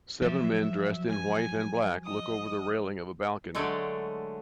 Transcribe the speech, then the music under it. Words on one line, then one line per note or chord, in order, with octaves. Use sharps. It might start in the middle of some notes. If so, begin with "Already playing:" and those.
Seven men dressed in white and black look over the railing of a balcony.
F3 F#3 E5
G#5
D#5 D#6
D3 F#3 G#3 A3